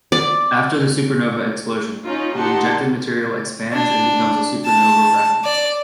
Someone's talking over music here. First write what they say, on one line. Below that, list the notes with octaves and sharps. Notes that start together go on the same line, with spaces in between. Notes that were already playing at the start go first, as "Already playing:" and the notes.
After the supernova explosion, the ejected material expands and becomes a supernova remnant.
D5
C#4 D#4 F4
D#4 G4 F#5 A5 C6
D4
A5
D5